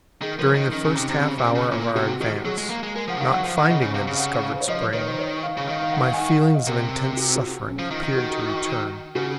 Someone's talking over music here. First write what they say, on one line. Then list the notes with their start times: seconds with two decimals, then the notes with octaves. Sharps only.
During the first half hour of our advance, not finding the discovered spring, my feelings of intense suffering appeared to return.
0.22 D#3 G#4
0.38 F3 A#4
0.55 D#3 D#4
0.72 D#3 C#4
0.84 C#3 C#4
0.96 C3 D#4
1.09 C3 C#4
1.21 C#3 C4
1.38 C3
1.47 C#4
1.55 C#3
1.71 A#2 F4
1.95 C3 F#4
2.20 D#3 F#4
2.45 F#3 G#4
2.58 G#3
2.70 A#3
2.83 G#3
2.95 G#3 A#4
3.08 F3 F#5
3.15 C#3
3.20 D#3 F5
3.32 F#3 F#5
3.44 F3 F#5
3.57 D#3 F#5
3.69 C#3 D#5
3.81 C#3
3.94 C3 F5
4.07 C#3
4.14 F5
4.19 F#5
4.44 F5
4.53 C5
4.61 C#5
4.68 F3 D#5
4.81 C#5
4.93 D#3 C#5
5.06 C5
5.18 C#5
5.43 F5
5.57 C#3
5.67 D#3 F5
5.81 F5
5.93 F#5
6.05 F5
6.13 G#5
6.17 F#5
6.30 F#5
6.43 F5
6.54 D#5
6.67 C3 A#4
7.17 F#4
7.36 F#4
7.42 F4
7.67 C#4
7.79 F3
7.91 D#3 F4
8.03 D#3
8.16 F#4
9.15 C#3 F#4